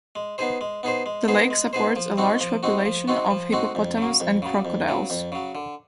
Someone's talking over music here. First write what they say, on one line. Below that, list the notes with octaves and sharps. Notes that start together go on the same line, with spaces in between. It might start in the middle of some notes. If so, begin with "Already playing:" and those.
The lake supports a large population of hippopotamus and crocodiles.
G#3
B3 D#4 G#4 C5
G#3
B3 D#4 G#4 C5
G#3
B3 D#4 G#4 C5
G#3
B3 D#4 G#4 C5
F3
G#3 C4 D#4 F#4
F3
G#3 C4 D#4 F#4
F3
G#3 C4 D#4 F#4
F3
G#3 C4 D#4 F#4
F2
C#3 F#3
F2
C#3 F#3
F2
C#3 F#3
F2
C#3 F#3
D3